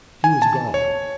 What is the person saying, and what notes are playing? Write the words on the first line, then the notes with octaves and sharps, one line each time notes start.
He was God.
G#5
A5
C#5